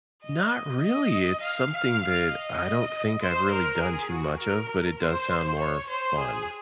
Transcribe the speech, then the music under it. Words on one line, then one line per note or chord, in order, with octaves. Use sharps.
Not really, it's something that I don't think I've really done too much of, but it does sound more fun.
D#5
D#5
F5
F5
F5
D#5
C5
A#4
G#4
F#4
A#4
C5
C#5
C5
G#4